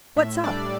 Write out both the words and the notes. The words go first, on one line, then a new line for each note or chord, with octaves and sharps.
What's up?
A2 E5
G3 D4 D5